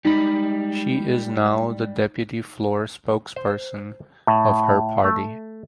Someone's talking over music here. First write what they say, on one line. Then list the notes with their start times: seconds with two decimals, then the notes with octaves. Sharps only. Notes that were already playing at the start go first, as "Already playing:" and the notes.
She is now the deputy floor spokesperson of her party.
0.05 G3 G#3 D#4 B5
3.36 C5
4.27 A2
5.04 A3